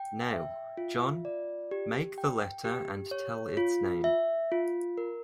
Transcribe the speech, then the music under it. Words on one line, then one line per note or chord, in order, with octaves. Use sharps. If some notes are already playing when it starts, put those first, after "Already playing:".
Now, John, make the letter and tell its name.
Already playing: G5
E5
F4
D5
G4
G5
G4
C#5
F4
E5
F4
A#4